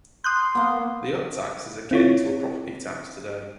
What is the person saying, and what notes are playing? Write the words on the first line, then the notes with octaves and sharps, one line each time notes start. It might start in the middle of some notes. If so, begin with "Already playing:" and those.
The hut tax is akin to a property tax today.
C6 D#6 F#6 G6
A#3 B3
C4 E4 F4 C#5